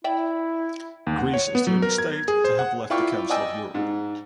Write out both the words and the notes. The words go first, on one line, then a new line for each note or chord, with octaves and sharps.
Greece is the only state to have left the Council of Europe.
E4 D5 E5 G5
D#2
F#5
C#5
B3
F#3
A#4
G#6
G#4
C5
F#5
E4 F4 D5 F5 G5 C#6
D5 D#5 G5 G#5 E6
G#2